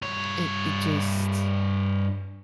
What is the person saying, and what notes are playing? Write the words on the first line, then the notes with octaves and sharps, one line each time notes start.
it it just
G2 C#5